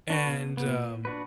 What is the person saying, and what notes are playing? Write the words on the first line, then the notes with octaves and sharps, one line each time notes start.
and, um,
D4 F#4 B4
B2
A#2 B3
D4 F#4 B4